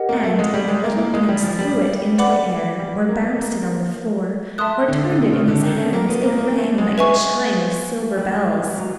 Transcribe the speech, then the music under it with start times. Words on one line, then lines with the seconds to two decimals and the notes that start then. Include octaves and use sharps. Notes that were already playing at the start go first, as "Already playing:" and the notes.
And when the little prince threw it into the air, or bounced it on the floor or turned it in his hands it rang like a chime of silver bells.
Already playing: G4 A#4 D#5 F#5
0.09 A#3
0.23 A3
0.39 G#3
0.54 G3
0.68 G#3
0.84 A#3
0.99 A#3
1.14 G#3
1.29 G3
1.43 F3
1.59 G3
2.18 B4 D5 F#5 B5 D6
2.79 G3
3.09 A#3
3.23 B3
3.38 A#3
4.58 A3 E5 A5 C6 D#6 F#6
4.88 D3
5.03 D3
5.18 C3
5.33 C#3
5.48 D3
5.63 D#3
5.78 A3
5.93 A#3
6.08 B3
6.23 A#3
6.38 A#3
6.58 A3
6.78 G#3
6.98 B4 E5 G#5 C#6
8.17 G3
8.32 G3
8.48 G#3
8.63 G3
8.78 F#3